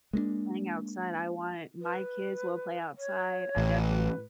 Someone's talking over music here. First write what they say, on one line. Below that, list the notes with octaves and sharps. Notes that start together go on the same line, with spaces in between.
Playing outside, I wanted my kids will play outside. I definitely
G#3 A#3 C4 D4
B4
C#5
A1
B4